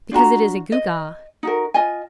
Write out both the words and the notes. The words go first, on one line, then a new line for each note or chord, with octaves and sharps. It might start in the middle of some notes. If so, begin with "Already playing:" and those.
Because it is a gewgaw.
D4 F4 F#4 A#5
D#5
D#4 F#4 A#4
F4 D#5 G#5